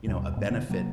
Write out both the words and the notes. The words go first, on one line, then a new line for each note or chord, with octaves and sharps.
you know, a benefit
D#2 B2 G3
G#2 G#3 B3
B2 D3 B3
C3 F#3 A#3